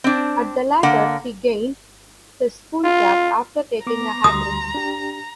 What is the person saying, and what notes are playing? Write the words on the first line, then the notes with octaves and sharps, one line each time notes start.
At the latter, he gained his school cap after taking a hat trick.
C4 D4
D3 A#3 F#5
F4
B3 A#5 D6
D2 G3 C6 D#6
D4 G4